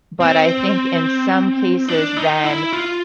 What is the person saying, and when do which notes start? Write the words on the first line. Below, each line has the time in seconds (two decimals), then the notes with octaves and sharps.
but I think in some cases then,
0.20 C4
1.88 D4
2.16 D#4
2.44 E4
2.73 F4